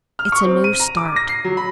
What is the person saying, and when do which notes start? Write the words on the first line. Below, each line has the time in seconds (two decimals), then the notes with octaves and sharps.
It's a new start.
0.19 F6
0.32 C#6
0.44 C4
0.64 D#7
0.80 A#5
0.97 D6
1.16 A#6
1.29 C7
1.44 F#3
1.57 B5